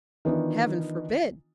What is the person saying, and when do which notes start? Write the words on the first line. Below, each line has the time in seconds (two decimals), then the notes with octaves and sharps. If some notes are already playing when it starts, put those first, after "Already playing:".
Heaven forbid!
0.25 D#3 E3 B3 D4 F4 D#5